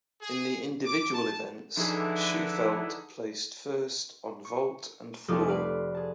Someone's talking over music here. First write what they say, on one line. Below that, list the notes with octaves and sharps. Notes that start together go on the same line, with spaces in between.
In the individual events, Shewfelt placed first on vault and floor.
G#4
D6
A5
D3 E3 F3 D#4 E4 G#4
C#6
F1 C2 A3 F4 D6 D#6
B4 D5 F5
G#4 A5